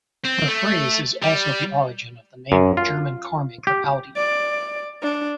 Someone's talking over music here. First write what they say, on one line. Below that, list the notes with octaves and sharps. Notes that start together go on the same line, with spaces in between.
The phrase is also the origin of the name of German carmaker Audi.
C4
A3
G3
F#2
F4
G4
D5
D4